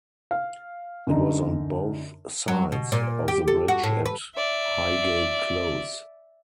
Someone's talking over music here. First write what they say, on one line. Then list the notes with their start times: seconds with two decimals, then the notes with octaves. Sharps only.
It was on both sides of the bridge at Highgate Close.
0.31 F5
1.07 F#2 D3 D#4
2.48 F#3
2.72 B2
2.92 A#2
3.28 G4
3.48 A4
3.68 F#4
3.83 A2
4.06 B4
4.35 D5 E5